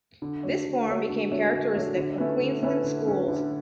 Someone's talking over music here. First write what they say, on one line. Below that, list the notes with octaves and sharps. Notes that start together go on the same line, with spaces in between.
This form became characteristic of Queensland schools.
D3
A3 D4 F#4 C#5
D3
A3 D4 F#4 C#5
D3
A3 D4 F#4 C#5
D3
A3 D4 F#4 C#5
D3
A3 C#4 E4 B4
D3
A3 C#4 E4 B4
D3
A3 C#4 E4 B4
D3